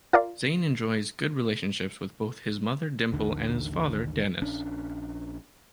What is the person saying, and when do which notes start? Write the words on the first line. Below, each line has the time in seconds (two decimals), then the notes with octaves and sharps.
Zane enjoys good relationships with both his mother Dimple and his father Denis.
0.13 F4 A#4 D5 F5
3.12 A1 D#2 D3 D#3
4.42 A#1 C#4 D4